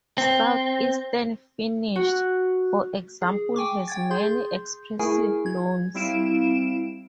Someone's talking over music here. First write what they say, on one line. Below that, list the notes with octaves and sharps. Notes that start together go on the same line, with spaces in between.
South-eastern Finnish, for example, has many expressive loans.
C4
F#4
G#4
G5 G#5 C#6 D6
G5 G#6 A6
G#4 C6 G6
A3 E4 G#4 A#4 G#5
G#6
G3 C4 E4 F5 D7 E7